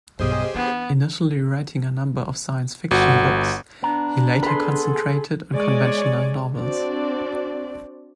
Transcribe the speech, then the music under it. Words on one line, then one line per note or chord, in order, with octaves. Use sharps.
Initially writing a number of science fiction books, he later concentrated on conventional novels.
B1 G2 C#3 G4 G#4 C5 D#5
E3 B3 D4
G1 F#4
B3 D4 A#5
G#4 A4 B4 C6
G#3 C#5 D5 G#5
C4 D4 F#4 D5